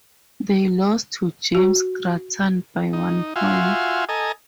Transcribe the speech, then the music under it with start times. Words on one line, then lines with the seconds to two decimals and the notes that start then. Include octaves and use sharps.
They lost to James Grattan by one point.
1.55 F#4
2.93 D#4
3.36 F4 F#4 E5 F5 G#5 C6
4.09 A4 D#5 G#5 A#5